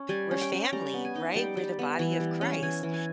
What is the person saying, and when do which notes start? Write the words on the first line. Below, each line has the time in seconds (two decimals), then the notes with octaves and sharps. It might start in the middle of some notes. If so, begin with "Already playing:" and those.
we're family, right, we're the body of Christ
Already playing: C#4
0.09 G3 G#5
0.31 C#4
0.41 G5
0.52 C#4
0.73 G3 A#5
0.94 B3
1.05 G#5
1.15 D#4
1.36 G3 G5
1.57 G3
1.79 B3
1.99 E3
2.20 G3
2.41 C#4
2.63 E3 G#5
2.83 E3
2.94 G#5